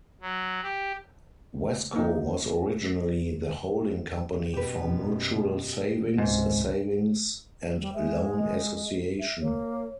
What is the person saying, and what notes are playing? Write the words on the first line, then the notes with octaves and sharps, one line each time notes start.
Wesco was originally the holding company for Mutual Savings, a savings and loan association.
F#3
G4
A#3 D#4
F#2 B2 G4 B4
C#2 G#2 C3
G3
G#3 E5
D#5
E5
A#3 C#5